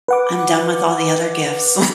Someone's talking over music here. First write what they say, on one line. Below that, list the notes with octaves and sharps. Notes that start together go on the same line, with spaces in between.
I'm done with all the other gifts."
B4 F#5 D6